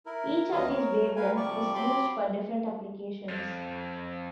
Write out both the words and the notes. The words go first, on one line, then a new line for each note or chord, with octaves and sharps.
Each of these wavelengths is used for different applications.
E4 A#4
D#2 D3 E3 F#3 D#5 F5
A#4 C#5
A#4 B4 F5 G#5
C3 F3 G3 G4 D5 C#6
F#3 C4 G4 B5 C6 D6
F2